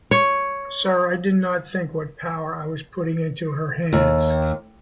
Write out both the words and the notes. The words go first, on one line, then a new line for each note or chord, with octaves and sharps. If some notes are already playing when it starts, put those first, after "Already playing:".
Sir, I did not think what power I was putting into her hands.
C#5
D#2